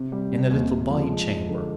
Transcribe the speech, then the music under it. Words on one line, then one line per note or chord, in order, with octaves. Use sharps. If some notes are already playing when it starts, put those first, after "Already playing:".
In a little by-chamber....
Already playing: C3
G3
C3
D#2
D#2
F3
G#3
D#4
D3